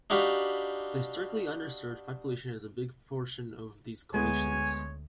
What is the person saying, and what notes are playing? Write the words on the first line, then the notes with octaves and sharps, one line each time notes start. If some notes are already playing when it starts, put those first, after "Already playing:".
The historically underserved population is a big portion of these coalitions.
D4 D#4 F#4 G4 F5 B5
D2 G#3 B3 C#5 G#5